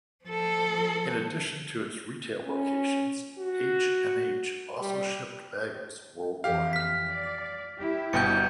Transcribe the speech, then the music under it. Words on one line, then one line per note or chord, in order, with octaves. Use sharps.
In addition to its retail locations, H and H also shipped bagels worldwide.
F3 A4
C#4
F#4
G3
F2 E3 F3 G4 F5
F6 B6
D5
E4 G4
G1 B2 G5 G6 C#7